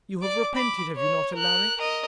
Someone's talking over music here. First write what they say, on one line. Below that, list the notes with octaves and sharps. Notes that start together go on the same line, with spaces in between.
You have repented, have you not, Alaric?'
D5 D6
B5 D6
C#5
A#4 F#6
A#4 D#5